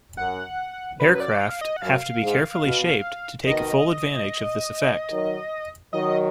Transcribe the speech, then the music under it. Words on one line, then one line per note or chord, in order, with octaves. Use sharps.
Aircraft have to be carefully shaped to take full advantage of this effect.
F#2 F#5
F#2 B4
B4
D5
F5
D#5
F#5
F#2 F5
G#2
B2
B2 D#3 D#5
D#3 F#3
D#3 F#3 D#5